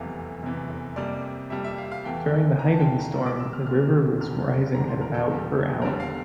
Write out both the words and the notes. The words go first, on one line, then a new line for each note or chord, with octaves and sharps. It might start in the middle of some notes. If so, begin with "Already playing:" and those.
During the height of the storm, the river was rising at about per hour.
Already playing: F1 E2 C3 E3 F5
F1 E2 C3 E3
F2 C3 G3 A#3 D5
F2 C3 G3 A#3 E5
E5
F5
F5
E2 E3 A3 G5
E2 E3 A3 A#5
A5
G5
F5
A#5
C2 A#2 G3 A#3 A#5
D6
E6
F6
C2 A#2 G3 A#3 F6
F1 E2 D3 F6
F1 E2 D3 A#5
C5
A#4
A4
E2 D3 G3
E2 D3 G3 A#4
F5